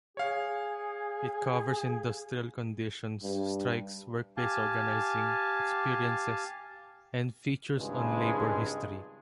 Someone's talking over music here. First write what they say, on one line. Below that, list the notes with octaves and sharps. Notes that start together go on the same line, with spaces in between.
It covers industrial conditions, strikes, workplace organizing experiences, and features on labor history.
G#4 C#5 F5
G2
G4 F5 G#5 A5
G#1 C#2 G2 G#3